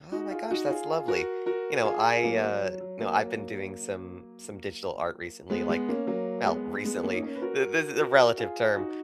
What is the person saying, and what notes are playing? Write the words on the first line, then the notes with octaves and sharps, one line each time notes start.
Oh, my gosh, that's lovely. You know, I, uh, know, I've been doing some some digital art recently, like well, recently, th this is a relative term.
D#4 F#4
F4 G#4
D#4 F#4
F4 G#4
F#4 A#4
F#4 A#4
F4 G#4
F#3 A#3
F#3
F#3
F#3
F#3 A#3
G#3 B3
G#3 B3
A#3 C#4
F#3 A#3
G#3 B3
G#3 B3
A#3 C#4
D#4
A#3 C#4
B4
F#4 A#4
F#4 A#4
F#4 A#4
F4 G#4
D#4 F#4